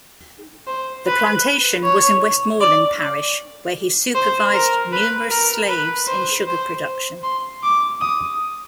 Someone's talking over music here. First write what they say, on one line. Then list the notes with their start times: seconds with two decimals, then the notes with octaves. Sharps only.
The plantation was in Westmoreland Parish, where he supervised numerous slaves in sugar production.
0.67 C5
1.07 B4
1.84 C#5
2.61 D5
4.15 C5
4.54 A#4
4.93 B4
5.31 A#4
5.70 B4
6.08 C5
6.48 C5
7.24 C6
7.63 D6
8.01 D#6